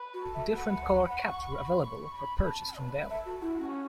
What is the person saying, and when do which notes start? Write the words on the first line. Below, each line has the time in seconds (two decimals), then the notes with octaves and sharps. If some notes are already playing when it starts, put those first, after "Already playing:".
Different color caps were available for purchase from Dell.
Already playing: B4
0.14 F#4
0.24 A4
0.35 E5
0.56 B4 F#5
0.87 B5
1.19 C#6
1.52 B5
1.84 C#6
2.15 B5
2.46 A5
2.78 B4
3.10 A4 E5
3.26 F#4
3.42 E4 F#4
3.58 C#4